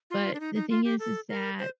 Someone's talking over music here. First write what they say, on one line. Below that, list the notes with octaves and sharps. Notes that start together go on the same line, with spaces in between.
but the thing is is that
F4
D4
D#4
D#4
F4
G4
A4
A#4
C5